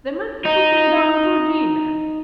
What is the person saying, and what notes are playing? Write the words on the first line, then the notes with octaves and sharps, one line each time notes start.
The man who took me down to dinner!
D#4